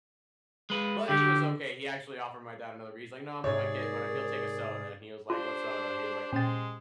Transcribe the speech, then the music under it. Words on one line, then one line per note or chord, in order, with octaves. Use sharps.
But he was okay; he actually offered my dad another bee He's like, "No, I'm with my kid, but he'll take a soda," and he was like, "What soda?" He was like
G#3 B4
D3 G4
G#2 C3 G#4 C#5 D5
A#4
D4 F4 G4 C5
A#2 G#3 C#4 G5 A6